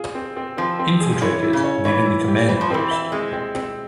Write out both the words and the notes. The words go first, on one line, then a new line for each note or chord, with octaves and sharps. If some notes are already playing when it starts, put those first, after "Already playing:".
Infiltrators live in the Command Post.
Already playing: F4 G#4
C4
C4
F3 C4
C4
G#4
F3
E3 C#5
E4
C#3
C#5
E3 C#5
E4
G4
E3 C5
F3
E3 C4
E5
G#3 C4
C4
C4